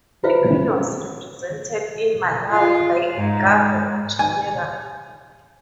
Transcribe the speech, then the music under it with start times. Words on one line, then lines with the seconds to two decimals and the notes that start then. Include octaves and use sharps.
The Queen was represented in Malawi by a Governor-General.
0.24 E4 F4 B4 C5 E5 F5
2.50 F4
3.17 G#2
4.19 G#5